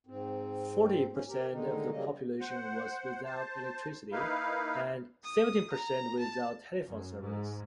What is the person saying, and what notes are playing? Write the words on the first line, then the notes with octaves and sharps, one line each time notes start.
Forty percent of the population was without electricity and seventy percent without telephone service.
G#2 C4
G#2 C#4
G4 A#4
D3 D#3 G#3 D#4
C#3 F#3 G3 A#3 D#5
C5 F#5
C5 A5
A#3 D#4 E4 B4 F5
D#6
A#5
A5
F#2
G#2